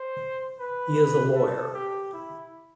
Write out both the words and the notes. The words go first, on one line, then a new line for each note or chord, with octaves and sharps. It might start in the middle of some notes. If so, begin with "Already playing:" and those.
He is a lawyer.
Already playing: C5
B4
A4
G4
E4